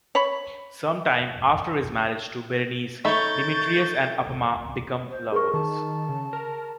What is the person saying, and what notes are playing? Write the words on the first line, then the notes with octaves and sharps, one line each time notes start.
Sometime after his marriage to Berenice, Demetrius and Apama became lovers.
C#5 B5
A3 D#4 C#5 E5 B5 C#6 G6 A6
C5
G#4 A#4 C#6
D#3 A5
C#3
A#4